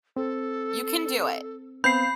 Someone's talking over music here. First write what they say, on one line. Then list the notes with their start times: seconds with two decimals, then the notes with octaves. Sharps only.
You can do it.
0.17 C4 A4
1.84 B3 C4 F5 B5 G6 C7